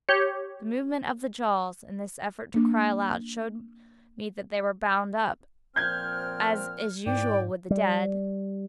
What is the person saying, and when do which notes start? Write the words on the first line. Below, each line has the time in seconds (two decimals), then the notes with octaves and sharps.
The movement of the jaws, in this effort to cry aloud, showed me that they were bound up, as is usual with the dead.
0.09 G4 C#5
2.54 A#3 D4
5.76 A#2 F3 C4 F6 G6 G#6
7.06 C2 G#2 E4 D5 G5
7.70 G3